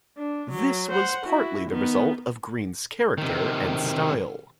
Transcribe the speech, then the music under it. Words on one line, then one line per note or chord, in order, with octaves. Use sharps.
This was partly the result of Greene's character and style.
D4
F#3
C5 F#5
E4 F#4
D#3 B3
C3 D#3